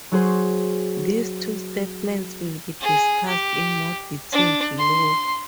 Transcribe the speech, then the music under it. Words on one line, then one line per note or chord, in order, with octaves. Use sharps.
These two statements will be discussed in more detail below.
F#3 F#4 G#4 C5
G#4
G4
D4
C6